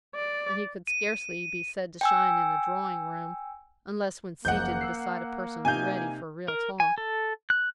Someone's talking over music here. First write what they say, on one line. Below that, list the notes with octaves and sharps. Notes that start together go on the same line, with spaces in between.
And he could scarcely be said to shine in a drawingroom, unless when seated beside a person ready for real talk.
D5
D#7
G5 G#5 E6
F#1 F3 A#3 D#5 F#5 G6
E6 C7
C3 D#4 F5 G#5 G6
A#4
G#5
A4
F#6